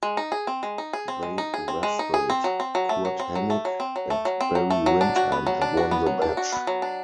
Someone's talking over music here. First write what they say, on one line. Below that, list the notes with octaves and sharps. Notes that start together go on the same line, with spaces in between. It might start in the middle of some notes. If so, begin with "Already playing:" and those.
They wrestled Curt Hennig and Barry Windham and won the match.
G#3
D#4
G#4
C4
G#3
D#4
G#4
C4
G#3
D#4
G#4
C4
G#3
D#4
G#4
C4
F#3
C4
F#3
A3
F#3
C4
F#3
A3
F#3
C4
F#3
A3
F#3
C4
F#3
A3
F#3
D4
F#4
B3
F#3
D4
F#4
B3
F#3
D4
F#4
B3
F#3
D4